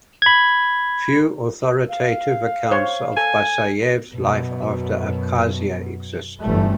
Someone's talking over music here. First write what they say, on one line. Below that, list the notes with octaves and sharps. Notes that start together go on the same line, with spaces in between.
Few authoritative accounts of Basayev's life after Abkhazia exist.
B5 G#6
F5
C5 C#5
A4 G#5
F#2 B2
G1 F#2 E3 G3 A3